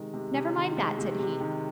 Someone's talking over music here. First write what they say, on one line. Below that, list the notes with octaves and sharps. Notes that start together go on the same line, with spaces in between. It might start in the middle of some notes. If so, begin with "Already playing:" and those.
"Never mind that," said he.
Already playing: C3 D#3 G#3
C3
C3
D#3
G#3
C3
C3
D#3